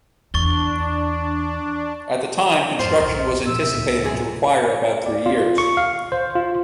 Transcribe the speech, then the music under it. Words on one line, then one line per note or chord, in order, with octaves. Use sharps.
At that time, construction was anticipated to require about three years.
E2 D4 C#6 A6 G7
F2 G#2 F4 C5
D#1 B1
A#2 F3 E6
C3 E5
C#2 A2 C3
B1 F#2 G#4
D5
F4
C#6
F5
C5
F4